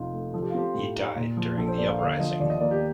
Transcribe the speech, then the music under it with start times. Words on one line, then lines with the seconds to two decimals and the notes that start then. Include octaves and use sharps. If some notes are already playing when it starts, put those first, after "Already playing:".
He died during the uprising.
Already playing: F1 D#4 F4
0.13 A3
0.34 F3 A4
0.42 G4
0.50 F4
0.54 C4 G4
0.74 A2
0.96 D#4
1.16 A#2
1.37 F3
1.57 A#1 A4
1.68 C5
1.78 A#3 D5
1.88 F5
1.99 D3 F5
2.19 F3 D#5
2.31 D#5
2.40 D#2 D5
2.50 D#5
2.60 A#3 D5
2.71 G4